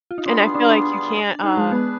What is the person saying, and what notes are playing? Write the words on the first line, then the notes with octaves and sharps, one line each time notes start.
And I feel like you can't, uh
F4
D#4
G3 B3 D4 F4 G#4
D4
D4
D4 D#4 G#4 B4
G#3
B3